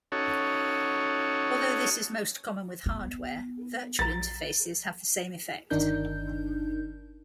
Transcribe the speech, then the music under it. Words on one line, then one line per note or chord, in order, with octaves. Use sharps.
Although this is most common with hardware, virtual interfaces have the same effect.
C#4 D#4 F#4 A4 C#5
B3
A#1 A#5 A6
G1 D#3 D4 D#4 A#4 G6